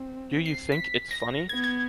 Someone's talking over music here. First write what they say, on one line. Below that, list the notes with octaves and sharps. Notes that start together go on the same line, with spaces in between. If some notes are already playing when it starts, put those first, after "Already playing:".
Do you think it's funny?
Already playing: C4
C7
B6
A#6
B3 G#6
G#6